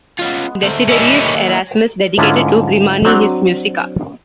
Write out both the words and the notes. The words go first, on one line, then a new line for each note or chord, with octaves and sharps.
Desiderius Erasmus dedicated to Grimani his "Musica".
G#3 B3 C#4 F4
D2 A3 C4 A#4
G3 A#3 C#4 E4 A4 D#5
E4 G#4
G#2 D3 G#3 C#4 E4 F4
F#3 C4 D4 F#4